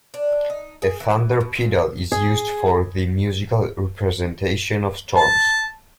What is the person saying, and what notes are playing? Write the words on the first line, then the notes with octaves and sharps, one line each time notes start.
A thunder pedal is used for the musical representation of storms.
D4
D#4
G#4
E3
B2
A#2
G#4
A5